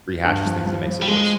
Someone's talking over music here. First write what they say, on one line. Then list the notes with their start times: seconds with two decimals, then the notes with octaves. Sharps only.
rehashes things and makes it worse.
0.24 G2
0.45 F3
0.66 F3
0.87 F3
1.02 G3
1.07 F3 G#3